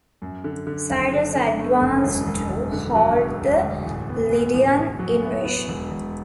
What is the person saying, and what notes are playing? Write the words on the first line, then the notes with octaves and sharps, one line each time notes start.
Cyrus advanced to halt the Lydian invasion.
F#2
D3
D3
F#1
D3
D3
A3
F#1
E1
E1
E1
D3
F#3
E1
E1
D2
A1
B3
B3
A1
A1
F#3
B3
B3
E1
E1